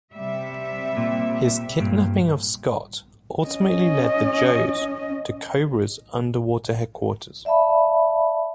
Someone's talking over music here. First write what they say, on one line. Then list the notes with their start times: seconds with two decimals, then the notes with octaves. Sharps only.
His kidnapping of Scott ultimately led the Joes to Cobra's underwater headquarters.
0.13 C3 G3 E5
0.97 A#2
1.80 G2 A#2
3.47 C#4 D#5
7.45 D5 E5 F5 A5 B5